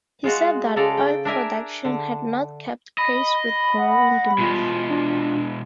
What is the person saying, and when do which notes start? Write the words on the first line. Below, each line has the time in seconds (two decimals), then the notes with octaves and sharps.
He said that oil production had not kept pace with growing demand.
0.24 G#3 F4 F#4
0.76 C#3 G#3 A4 D5 A#5
0.97 G5
1.25 D4 A#4 E5 G#5
1.85 D3
2.98 D#5 B5
3.77 F#5
4.38 B2 G#3 F4
4.90 D4